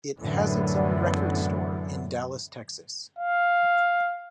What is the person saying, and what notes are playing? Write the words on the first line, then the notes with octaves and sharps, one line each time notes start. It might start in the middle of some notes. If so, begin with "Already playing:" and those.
It has its own record store in Dallas, Texas.
F#2 A2 D3 E3 B3
F5